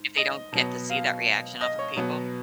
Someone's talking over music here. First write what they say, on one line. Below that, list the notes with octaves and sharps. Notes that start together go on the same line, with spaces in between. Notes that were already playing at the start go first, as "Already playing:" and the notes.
If they don't get to see that reaction off of people,
Already playing: G#2
D#5
B2 F#3 B3
F5
D#5
C#5
B2 F#3 B3 B4